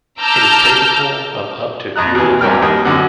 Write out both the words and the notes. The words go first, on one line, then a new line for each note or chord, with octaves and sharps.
It is capable of up to fuel economy.
A5 A#5 D6 E6 F6 G6
F2 D#5 A#5 F#6
D#2 E3
E2 G2 A#4 G5 F6
D#2 D#5
F#2 D3